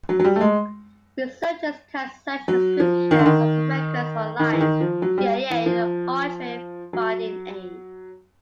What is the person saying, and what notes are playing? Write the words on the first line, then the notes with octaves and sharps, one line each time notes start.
Researchers can search descriptions of the records online, via the Archway finding aid.
F#3
F#3
G3
A3
G#3
F#3
F3
D#3
D3
D#3
D#3
E3
D#3
F3
F#3
G3
E3
F3
F#3